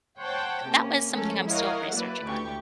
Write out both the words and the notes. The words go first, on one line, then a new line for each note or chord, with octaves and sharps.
that was something I'm still researching on.
C5 C#5 F#5 G5 A5
C3 A#3 C#4
F3 G#3 A3 C#4 A4 A#4
E4 A#4 C#5 D#5 F5 F#5
F#3 A#3 E4 B4 D5
D2 A2 G4 C#6